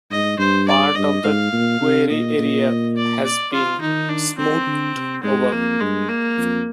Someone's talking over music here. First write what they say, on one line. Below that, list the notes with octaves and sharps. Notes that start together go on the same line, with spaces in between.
Part of the quarry area has been smoothed over.
G#2 D#5
G2 C5
D5
G2 D#5
G#2 F5
A#2
C3
A#2 D#5
A#2
D5
D5
F4
D#3 D#4
D4
C4
D3
C3
G#2 G#3
F2 A#3
G2 G#3
A#3
F2